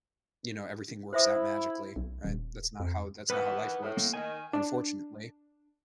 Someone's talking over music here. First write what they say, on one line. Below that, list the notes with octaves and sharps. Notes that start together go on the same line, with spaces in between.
you know, everything works out magically, right? That's not how that's not how life works, unfortunately.
E4 C5 E5 D#6
B1
D#1
F2
D#3 E3 B3 B4
A2
A#3
D#3 G#5
D4